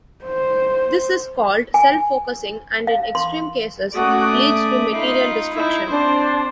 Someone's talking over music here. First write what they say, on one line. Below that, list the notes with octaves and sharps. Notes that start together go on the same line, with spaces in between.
This is called self-focusing and in extreme cases leads to material destruction.
C5
G#5
F5
C6
A3 C#4 F#4 D5 D#6
E5
D#4 F4 B5
D#4 E4
C4 D4 C5